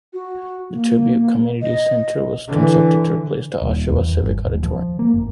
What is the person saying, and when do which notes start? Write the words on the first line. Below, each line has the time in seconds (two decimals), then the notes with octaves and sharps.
The Tribute Communities Centre was constructed to replace the Oshawa Civic Auditorium.
0.13 F#4
0.73 A#3
1.62 D#5
2.48 D3 E3
3.62 D#1
3.91 E2
4.21 G1
4.45 D#1
4.64 F3
4.99 A#3
5.14 F#1